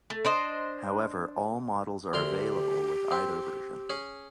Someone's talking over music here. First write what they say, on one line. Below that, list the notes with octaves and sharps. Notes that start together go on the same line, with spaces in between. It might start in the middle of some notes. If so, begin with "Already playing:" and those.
However, all models are available with either version.
A3
D4 C5 D#5
D2 G4 A#4 C6
C4
C#4 G#4